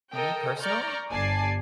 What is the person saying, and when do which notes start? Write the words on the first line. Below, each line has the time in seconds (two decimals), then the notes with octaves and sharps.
me, personally?
0.11 A4 A#4 D#5 G5
0.62 D5 A#5 C#6 F6 G6
1.10 G1 D5 G#5 A5 G#6 C7